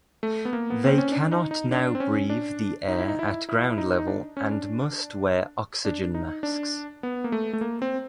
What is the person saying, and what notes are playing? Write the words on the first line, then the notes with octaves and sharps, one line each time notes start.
They cannot now breathe the air at ground level and must wear oxygen masks.
A3
B3
A#3
B3
C4
C#4
D4
D#4
D#4
D4
C4
C#4
D4
D#4
E4
D#4
E4
E4
E4
D#4
D#4
D4
C#4
D4
D4
D#4
D4
B3
A#3
A3
A3
A#3
C4